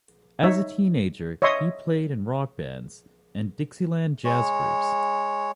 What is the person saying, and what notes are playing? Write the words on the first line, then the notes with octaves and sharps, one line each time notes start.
As a teenager, he played in rock bands and dixieland jazz groups.
D#4 C#5 E5
C#5 D#5 E5 C6 C#6 D#6
G#3 C#5